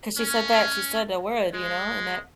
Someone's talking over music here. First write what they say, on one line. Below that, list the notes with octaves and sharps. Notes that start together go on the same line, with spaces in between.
'Cause she said that she said the word, you know, and that
C#4
G#3